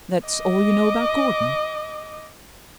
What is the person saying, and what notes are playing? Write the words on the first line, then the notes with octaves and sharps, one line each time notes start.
"That's all you know about Gordon?"
D#5 D6